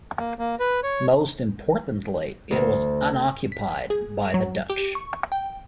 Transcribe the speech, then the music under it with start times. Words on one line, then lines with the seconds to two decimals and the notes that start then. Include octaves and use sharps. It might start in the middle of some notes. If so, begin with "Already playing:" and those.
Most importantly, it was unoccupied by the Dutch.
0.19 A#3
0.39 A#3
0.60 B4
0.83 C#5
2.51 D2
3.52 B6
3.90 G#4
4.34 F#3
4.70 G4
4.95 C#6
5.32 G5